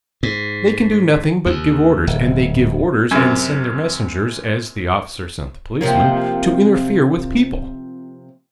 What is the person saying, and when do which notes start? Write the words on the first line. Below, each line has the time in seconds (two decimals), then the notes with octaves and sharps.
They can do nothing but give orders, and they give orders and send their messengers, as the officer sent the policeman, to interfere with people.
0.23 G#2
1.46 D#2
2.07 D1
3.11 F#2 C3
5.81 C3 F3 A#3